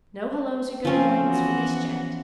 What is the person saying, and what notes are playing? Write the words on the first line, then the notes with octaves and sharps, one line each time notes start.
No hellos or good mornings for this gent!
F3 C4 C#4
E3 B3 F#4